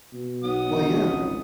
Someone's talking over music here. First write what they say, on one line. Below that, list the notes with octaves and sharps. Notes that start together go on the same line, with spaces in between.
Well, yeah.
B2
B1 F#3 F#5 D#6
G#1 C#2